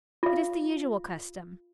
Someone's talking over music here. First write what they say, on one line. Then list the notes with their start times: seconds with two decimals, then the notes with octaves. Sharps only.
'It is the usual custom.'
0.23 F4 F5